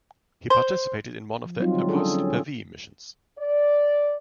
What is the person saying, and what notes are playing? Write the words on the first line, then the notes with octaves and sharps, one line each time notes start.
He participated in one of the Auguste Pavie missions.
C5
F3
F#3 G3 C4 D#4 F4
D3 G#3
C#4 D4 G#4 A4
C#4
D5